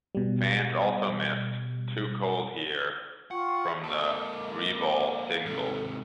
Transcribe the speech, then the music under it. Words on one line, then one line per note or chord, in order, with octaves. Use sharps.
Fans also missed "Too Cold Here" from the "Revol" single.
B2 G3
F4 F#5 G5 C#6
A#3 A4 D#5 D6
G#2 C3 A4